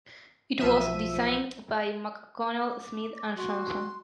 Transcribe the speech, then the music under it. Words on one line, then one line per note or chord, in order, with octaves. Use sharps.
It was designed by McConel Smith and Johnson.
B1 F3 E5 D#7
D6
F#4 C6